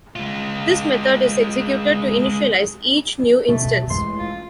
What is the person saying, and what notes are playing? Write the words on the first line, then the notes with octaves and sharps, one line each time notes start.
This method is executed to initialize each new instance.
G#3 F4
B2 A3
A1 E3 G#3 C6
F4